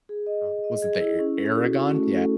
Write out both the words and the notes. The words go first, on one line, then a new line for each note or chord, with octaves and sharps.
Oh, was it the E Eragon? Yeah.
G#4
D#5
D#5
D#5
G#4
E4
C#4
A4
F#4
C#4
A3
A4